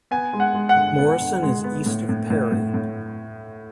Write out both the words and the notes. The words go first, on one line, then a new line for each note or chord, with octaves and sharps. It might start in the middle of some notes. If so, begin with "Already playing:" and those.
Morrison is East of Perry.
B3 G#5
G#3
F#5
G#3
F#5
D3
B3
D3
G#3
B3
A2
A2
A2
A2
A2